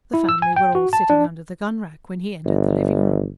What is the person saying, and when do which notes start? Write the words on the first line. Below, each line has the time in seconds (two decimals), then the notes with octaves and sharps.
The family were all sitting under the gunrack when he entered the living room.
0.14 E4
0.29 E6
0.42 G#5
0.56 G5
0.75 F#4
0.93 A5
1.10 D4
2.45 G1